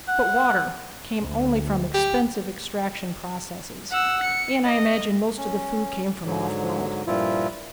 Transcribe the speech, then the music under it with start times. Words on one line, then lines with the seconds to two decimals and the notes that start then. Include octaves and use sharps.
But water came only from expensive extraction processes and I imagine most of the food came from offworld.
0.08 F#5
1.20 D2
1.94 G4
3.91 F#5 E6
4.23 C#7
4.64 D#5
5.38 C#4
6.25 G#2 D3 F#3
7.07 G2 A#2 F3 E4 F4